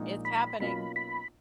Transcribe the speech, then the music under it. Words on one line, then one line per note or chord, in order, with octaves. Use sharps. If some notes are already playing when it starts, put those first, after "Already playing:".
It's happening.
Already playing: A#1 A#2 G#3 D#4
B5
B1 B2 A#3 C#4 F4 B5
B5